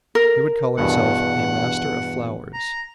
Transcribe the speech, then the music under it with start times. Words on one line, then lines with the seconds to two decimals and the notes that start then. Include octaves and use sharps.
He would call himself a Master of Flowers.
0.15 A#4
0.78 E2 G2 B2 F#5
2.54 A#5